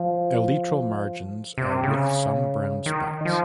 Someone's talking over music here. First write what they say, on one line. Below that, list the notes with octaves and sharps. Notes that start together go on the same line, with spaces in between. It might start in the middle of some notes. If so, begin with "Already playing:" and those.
Elytral margins are with some brown spots.
Already playing: F3
C3
C#3
D#3
F3